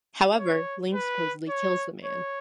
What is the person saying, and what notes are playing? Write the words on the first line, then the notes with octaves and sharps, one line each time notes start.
However, Ling supposedly kills the man.
C#5
B4
C#5
C#5